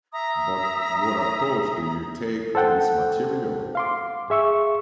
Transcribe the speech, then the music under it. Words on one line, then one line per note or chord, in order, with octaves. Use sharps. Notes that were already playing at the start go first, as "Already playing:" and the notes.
But what approach do you take to this material?
E5 A#5 D#6
A4 C5 F#5 G5
F5 C6 D6
G#4 E5 C#6 E6